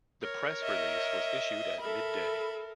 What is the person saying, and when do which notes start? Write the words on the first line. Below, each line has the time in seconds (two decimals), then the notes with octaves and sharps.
The press release was issued at midday.
0.21 A#4 C#5
0.63 D#5 E5
1.80 A4 A#4 E5 B5